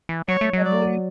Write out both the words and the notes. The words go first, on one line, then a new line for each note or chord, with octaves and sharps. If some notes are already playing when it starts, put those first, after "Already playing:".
I believe.
E3
F#3 C#5
A3
F#3
D5